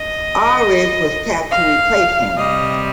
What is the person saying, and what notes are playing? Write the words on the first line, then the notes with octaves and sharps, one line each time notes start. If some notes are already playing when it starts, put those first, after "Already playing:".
Aldridge was tapped to replace him.
Already playing: D#5
F5
C3 G3 D#5